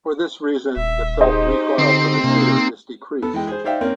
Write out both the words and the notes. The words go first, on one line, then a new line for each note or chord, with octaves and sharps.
For this reason the felt recoil for the shooter is decreased.
D#1 E5
D#4 G4 G#4 C5 D#5
D3 C4
C3 A#3 D#4
B3 A4
E3 G#3 G5
G#4 C5
D#4 C5 D5 E5 F5 G5
A#3 C4 C#4 A#4